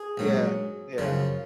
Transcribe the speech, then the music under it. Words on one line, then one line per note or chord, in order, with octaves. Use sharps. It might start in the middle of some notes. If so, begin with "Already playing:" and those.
Yeah. Yeah.
Already playing: G#4
A#1 G#2 F#3
F#2 C#3 F3